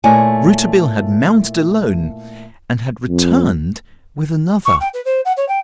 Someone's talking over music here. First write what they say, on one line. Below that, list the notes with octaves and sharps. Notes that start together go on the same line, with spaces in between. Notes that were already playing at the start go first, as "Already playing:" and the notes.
Rouletabille had mounted alone, and had returned with another.
A#2 A3 E4 C#5 D5 G#5
F2
C#6
G5
B4
C5
F#5
C#5
G5